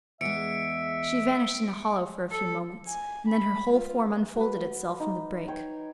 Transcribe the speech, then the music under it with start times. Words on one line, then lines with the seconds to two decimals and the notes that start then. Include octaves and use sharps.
She vanished in a hollow for a few moments, and then her whole form unfolded itself from the brake.
0.21 E2 G#3 E5 C#7 D7
2.31 A4
2.87 G#5
3.28 B5
3.73 F4
4.36 F#4 B4
5.00 D#4
5.48 C#5 G5